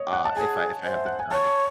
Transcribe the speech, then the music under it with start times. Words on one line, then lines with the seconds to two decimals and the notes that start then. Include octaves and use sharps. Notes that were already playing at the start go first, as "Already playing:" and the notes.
uh, if I if I have the time.
Already playing: C#5 D#5
0.13 F#5
0.25 A5
0.36 G#4 G#5
0.84 C5
0.94 E5
1.06 F#5
1.19 G#5
1.31 C#5 A5